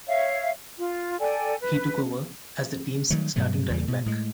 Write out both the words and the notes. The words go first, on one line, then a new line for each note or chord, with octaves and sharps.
He took over as the teams starting running back.
C#5 E5 F5
F4
A4 D5 G5 G#5
B4
D#3 F#3 G3 A3
G2 B2 F#3 A3
E2 C#3 G3
B2
A2 G#3